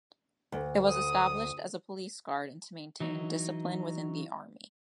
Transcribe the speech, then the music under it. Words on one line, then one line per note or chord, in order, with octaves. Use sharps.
It was established as a police guard and to maintain discipline within the army.
D2
D#6
E3 F#3 D#4